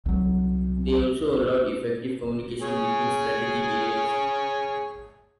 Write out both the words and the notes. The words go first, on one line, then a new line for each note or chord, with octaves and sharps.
They also allowed effective communication between strategic areas.
C2 F#3
G#4 C#5 G#5